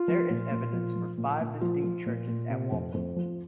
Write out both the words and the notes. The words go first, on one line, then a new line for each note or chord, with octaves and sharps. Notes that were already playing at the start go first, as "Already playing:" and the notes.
There is evidence for five distinct churches at Waltham.
Already playing: F4
F3
A#2
A#2
F3
F3
A#2
A#2
F3 F4
F3
A#2
A#2
C3
F2
F2
F3